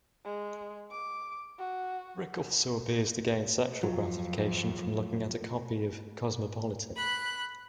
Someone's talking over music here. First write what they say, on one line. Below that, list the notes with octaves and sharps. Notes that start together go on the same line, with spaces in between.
Rik also appears to gain sexual gratification from looking at a copy of "Cosmopolitan".
G#3
D6
F#4
F2 F#3 F4
B5 F#6